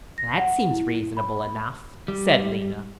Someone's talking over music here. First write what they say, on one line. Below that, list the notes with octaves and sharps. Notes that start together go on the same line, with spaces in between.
"That seems reasonable enough," said Lena.
A#6
F#5
E4
B5
G3